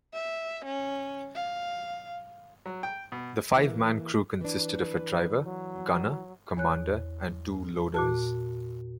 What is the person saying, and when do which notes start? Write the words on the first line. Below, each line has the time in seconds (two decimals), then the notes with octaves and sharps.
The five-man crew consisted of a driver, gunner, commander and two loaders.
0.14 E5
0.65 C#4
1.35 F5
2.66 F#3
2.83 G5
3.12 B2
3.57 E3 A#3
4.41 E3 D4 B4
5.44 F#3
6.57 E2 C#5 F#6
7.94 A#2 F#4 A5